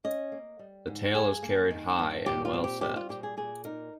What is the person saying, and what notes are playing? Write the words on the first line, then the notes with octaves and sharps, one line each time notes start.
The tail is carried high and well set.
C#4 D#5
A#3
G3
G#2
G2 G#4
A#3
D#3
G2
A#2 G4
F4
C4
G4
G3 G4
F4
A#2 G4
G#4
A#2 G#4
D#4 A#4